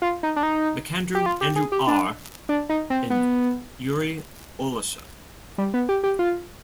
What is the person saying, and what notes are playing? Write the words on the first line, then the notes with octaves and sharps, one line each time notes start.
MacAndrew, Andrew R., and Yuri Olesha.
F4
D#4
D4
D#4
G4
F4
G4
G#4
G4
D4
D4
D#4
C4
B3
G3
B3
G4
G4
F4